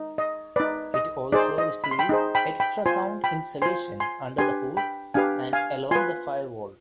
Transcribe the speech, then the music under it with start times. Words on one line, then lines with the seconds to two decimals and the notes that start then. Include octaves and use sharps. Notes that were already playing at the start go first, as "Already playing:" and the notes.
It also received extra sound insulation under the hood and along the firewall.
Already playing: D#4
0.18 D#5
0.56 D#4 B4 D5
0.94 D#5
1.32 D#4 G#4 C5 D5
1.58 D#5
1.84 B5
1.91 C6
1.99 G5 B5
2.09 D#4 G#4 C5
2.35 G5 B5
2.60 G5 B5
2.86 F4 C5 G#5 C6
3.24 G5 B5
3.62 F4 C5 G#5 C6
4.00 G#5 C6
4.38 D4 G4 B4 G#5 C6
4.77 G5 B5
5.14 D4 G4 B4 F5 G#5
5.53 F5 G#5
5.91 F4 B4 G#5 C6